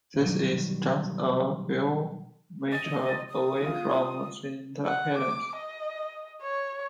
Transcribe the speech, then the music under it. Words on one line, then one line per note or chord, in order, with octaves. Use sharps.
This is just a few metres away from Saint Helen's.
B2 D#3 F#3 G3
D#5 A6
A6
D#6
F4 F5
F#5
D6
D#5
C#5